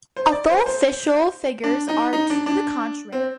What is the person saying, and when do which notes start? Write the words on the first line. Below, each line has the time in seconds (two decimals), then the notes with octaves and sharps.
Although official figures are to the contrary.
0.17 C5
0.32 D5
0.49 C5
0.66 C5
1.64 D4
1.88 D#4
2.13 D#4
2.30 D4
2.46 D4
3.12 C4